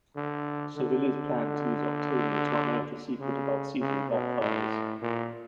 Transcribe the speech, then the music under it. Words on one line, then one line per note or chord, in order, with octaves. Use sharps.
Servilia's plan to use Octavia to unearth a secret about Caesar backfires.
D3
D3
C#3
C#3
B2
A2
A#2